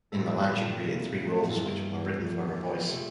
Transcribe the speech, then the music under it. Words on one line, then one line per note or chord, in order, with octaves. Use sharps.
In Milan she created three roles which were written for her voice.
A2 A3 C4 E4 A4
A#2
C3 A#3 E4 A#4
A2
G2 E3 A#3 F4 A4
F2 A#2 A3 D4
F2
C3 F3 A3